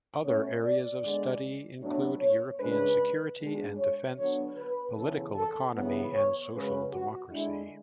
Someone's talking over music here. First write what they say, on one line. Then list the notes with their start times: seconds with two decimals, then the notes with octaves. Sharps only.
Other areas of study include European security and defence, political economy, and social democracy.
0.22 B2 A3 C#4 C#5
0.62 D5
1.01 D3 G#3 B3 D5
1.80 A2 F#3 B3 D4
2.20 C#5
2.59 C#3 G#3 D4 B4
3.37 B2 G#3 D4
3.77 C#5
4.17 D3 F#3 B3 D4 C#5
4.56 B4
4.95 E2 C#3 E3 A4
5.35 A4
5.74 E2 C#3 E3 B3
6.13 C#5
6.53 F#2 C#3 G#3 B4
6.92 F#4
7.31 D3 G#3 D4 E4